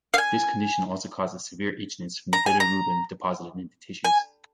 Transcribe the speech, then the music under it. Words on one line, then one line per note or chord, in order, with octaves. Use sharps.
This condition also causes severe itchiness from the bilirubin deposited in the tissues.
F5
G#5
A#5
G#5
A#5
G#5